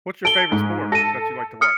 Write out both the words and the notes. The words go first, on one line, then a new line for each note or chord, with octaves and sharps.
What's your favorite sport that you like to wat
A4 D7 G7
G#2
A4 A#6 D#7
D#6 F6 C#7